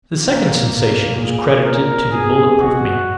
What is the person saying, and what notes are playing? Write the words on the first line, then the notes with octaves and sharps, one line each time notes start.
The second sensation was credited to the Bullet-Proof Man.
B2 A#3
A#3
A#2 G#4
A#4
B2 G#4
F#4